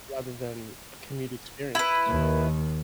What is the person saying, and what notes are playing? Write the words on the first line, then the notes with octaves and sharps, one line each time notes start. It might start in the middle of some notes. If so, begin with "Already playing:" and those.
rather than a community experience.
E4 B4
D#2 D#3